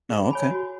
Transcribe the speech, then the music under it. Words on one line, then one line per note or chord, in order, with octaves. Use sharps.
Oh, okay.
G#4
C#5 G#5 B5
F#4